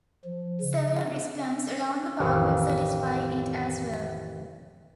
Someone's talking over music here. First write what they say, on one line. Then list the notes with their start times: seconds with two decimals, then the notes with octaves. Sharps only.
Several brisk turns around the park will satisfy it as well.
0.25 F3
0.61 C#3
2.20 A1 F2 D#3 E3